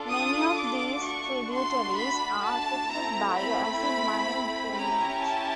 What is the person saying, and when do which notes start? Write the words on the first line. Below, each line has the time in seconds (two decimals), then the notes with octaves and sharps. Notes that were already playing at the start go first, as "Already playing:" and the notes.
Many of these tributaries are affected by acid mine drainage.
Already playing: D4 F4 A4
0.10 D#6
0.56 D6
1.02 A3 D4 F#4 C#6
1.49 C6
1.95 B5
2.42 A5
2.89 A3 C4 E4 A#5
3.35 B5
4.74 C#4 E4 G4 A#5
5.21 A5